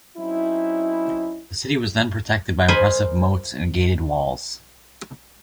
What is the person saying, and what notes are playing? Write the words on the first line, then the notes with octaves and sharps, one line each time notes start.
The city was then protected by impressive moats and gated walls.
F#3 C4 C#4 D#4 E4
A#4 C5 D#5 G#5 B5